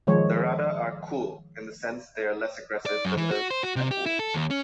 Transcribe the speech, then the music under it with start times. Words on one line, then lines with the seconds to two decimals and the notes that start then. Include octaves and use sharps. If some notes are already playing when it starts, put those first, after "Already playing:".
The Rada are "Cool" in the sense they are less aggressive than the Petwo.
0.07 D#3 F3 G#3 C#5
2.86 D5
3.05 F#2
3.17 E3
3.31 F#4
3.51 C5
3.63 F#4
3.76 C3
3.91 G4
4.06 E4
4.19 A4
4.34 D#2
4.51 C#4